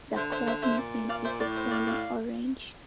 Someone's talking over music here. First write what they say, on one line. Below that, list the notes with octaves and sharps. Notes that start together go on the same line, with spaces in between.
The club nickname is the flaming orange.
D3 C5 E5
C5 E5
C5 E5
C5 E5
A#2
D5 F5
C5 E5
A2 D5
C5 E5
D5 F5
D5 F5